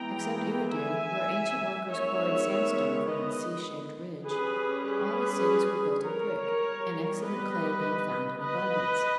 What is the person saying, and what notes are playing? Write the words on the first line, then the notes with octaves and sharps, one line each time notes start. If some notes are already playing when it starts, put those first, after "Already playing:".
Except Eridu, where ancient workers quarried sandstone from its sea-shaped ridge, all the cities were built of brick, an excellent clay being found in abundance.
Already playing: E3 G#3 B3 G5 A#5
E5 G#5
D#3 G#3 B3 C#5 E5
B4 D#5
G3 C#4 G#4 B4
G#4 B4
A#4 C#5
G3 B3
B4 D#5
B4 D#5